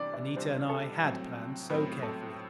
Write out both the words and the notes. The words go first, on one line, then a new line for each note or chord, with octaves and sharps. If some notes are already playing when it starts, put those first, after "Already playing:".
Anita and I had planned so carefully.
Already playing: C3 E3 G3 D4 D5
D5
C3 E3 G3 D4 C5
A4
A2 F#3 C4
A2 F#3 C4 B4
A4